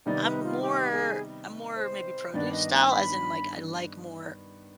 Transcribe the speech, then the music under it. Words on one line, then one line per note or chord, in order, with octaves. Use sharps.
I'm more I'm more more maybe produce style as in, like, I like more,
C3 D#3 G3 B3 D#4 D5
B4
F4
G4
G#4
C5
G2 D#3 B3 D4 D5
D#5
G#5
B5